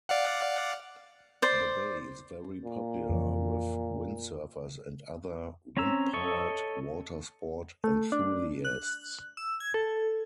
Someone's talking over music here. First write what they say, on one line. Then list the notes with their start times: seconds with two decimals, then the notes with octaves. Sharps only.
The bay is very popular with windsurfers and other windpowered watersport enthusiasts.
0.09 D5 F5 F#5
1.42 C5 D5
2.65 A#2
3.09 F2 E3 F3
5.77 C4 C#4 C#5 A#5 E6
6.13 A4 C#5 D#5 E5 C#6
7.84 A3
8.12 D4
8.65 F#6
9.37 E6
9.60 G#6
9.74 A4